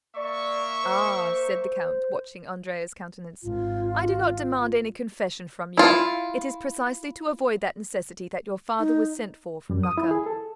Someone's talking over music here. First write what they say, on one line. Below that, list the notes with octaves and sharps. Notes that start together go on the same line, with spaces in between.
Ah," said the count, watching Andrea's countenance, "I do not demand any confession from you; it is precisely to avoid that necessity that your father was sent for from Lucca.
A#3 D5 E5 C#6
C5
G#1 F4
E4 F4
D#4
F#2
D#6
E4
G#4
A4